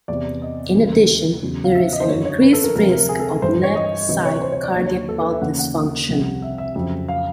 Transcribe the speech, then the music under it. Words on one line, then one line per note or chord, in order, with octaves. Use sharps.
In addition, there is an increased risk of left-sided cardiac valve dysfunction.
E2 C3 E3 D5
D#5
D#2 C#3 E3
E2 C#3 F#3
F5
E5
D#5
C5
F#2 D3 F#3 C#5
C#5
B4
A4
A#4
D2 C3 F3 A#4
A#4
G#4
A4
G2 E3 C5
C5
C#5
D#5
D2 C3 E3 D#5
C#5
C5
C#5
D5
D#2 D3 F#3 C#5
C#5
A4
B4
E5
D#2 C#3 E3 F#5
F#5
C2 C3 F3
E5
E5
F2 C#3 F#3
F5